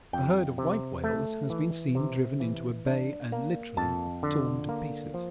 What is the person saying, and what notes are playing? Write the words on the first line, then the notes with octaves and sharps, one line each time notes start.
A herd of white whales has been seen driven into a bay and literally torn to pieces.
F2 G5
C3
A3
E3
C3
E3
D4
A#3
F2 A5
D3
A#3
F3